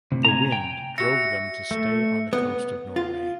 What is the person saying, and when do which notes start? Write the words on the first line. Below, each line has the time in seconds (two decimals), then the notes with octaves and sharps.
The wind drove them to stay on the coast of Norway.
0.12 A2 C3
0.25 G#5 A#5
0.52 G5
0.98 F#4 E5 A#6 C#7
1.71 A3
2.33 B3
2.96 F4